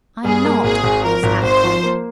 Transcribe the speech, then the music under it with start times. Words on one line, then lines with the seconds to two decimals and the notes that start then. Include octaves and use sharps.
"I'm not!" snapped Colin.
0.25 G2 G#4
0.45 A#3
0.63 G#1 G#4
0.84 G#1
1.03 F3 A#4
1.23 G#1
1.43 G#1 C5
1.63 F3
1.83 A#3